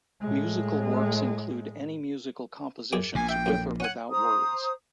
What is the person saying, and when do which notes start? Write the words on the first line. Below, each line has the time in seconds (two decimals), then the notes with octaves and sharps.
Musical works include any musical compositions with or without words.
0.21 A2 G#3
2.93 F#2 G#4 D6
3.15 A#1 A#2 G#5
3.29 E5 G5
3.46 F#2 A2
3.80 C#4 F#5 G#5
4.09 C5 A#5 D#6